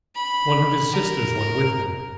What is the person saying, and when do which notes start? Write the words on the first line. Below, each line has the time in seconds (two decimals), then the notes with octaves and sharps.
One of his sisters went with him.
0.15 B5
0.92 A#4